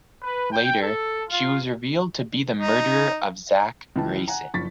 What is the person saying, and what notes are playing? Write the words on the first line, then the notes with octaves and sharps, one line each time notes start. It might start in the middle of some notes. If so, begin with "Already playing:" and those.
Later, she was revealed to be the murderer of Zack Grayson.
B4
G5
A4
F4
D#4
C#2 E3 A5
F#5 G#5 A#5
F#1 F3 C#6 A6 B6